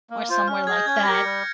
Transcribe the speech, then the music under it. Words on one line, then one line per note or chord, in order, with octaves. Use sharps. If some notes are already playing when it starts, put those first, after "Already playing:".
or somewhere like that,
A#3
F4 C5
C#4 F6
G#4 D#5 G#6
G6
C#4 G#6
F6
G4 A#4 A#6
C#7
G3